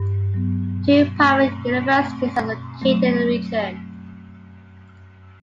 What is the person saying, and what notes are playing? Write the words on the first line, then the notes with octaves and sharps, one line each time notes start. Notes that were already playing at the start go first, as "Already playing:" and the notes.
Two private universities are located in the region.
Already playing: G2
F#3 B3
B2
A3 C4
B2
A3 C4
B2
F#3 A3 C4